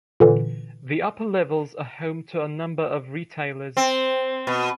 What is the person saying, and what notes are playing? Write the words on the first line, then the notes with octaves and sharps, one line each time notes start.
The upper levels are home to a number of retailers.
A#2 D3 E3
C4
B2